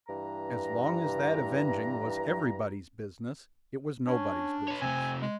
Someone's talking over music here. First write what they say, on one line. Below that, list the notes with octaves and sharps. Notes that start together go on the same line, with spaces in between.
As long as that avenging was everybody's business it was nobody's business.
G2 E3 A#5
C#4 D4
B4 C#5
C3 A3 C4 G#5
G#3